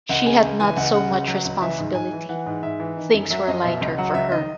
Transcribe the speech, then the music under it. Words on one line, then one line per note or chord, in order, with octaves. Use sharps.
She had not so much responsibility; things were lighter for her.
C#2 F#5
C#3 G#5
C#2
E3 G#5
C#2 F#5
C#3 F#5
C#2
F#3
C#2
E3 E5
G#2
G#2 G#5
E3
E3 F#5
G#2
G#2 E5
E3
D#3
F#2
F#3 E5
F#2 D#5
B2 E5
C#2
F#3 F#5
C#2 E5
D#3 D#5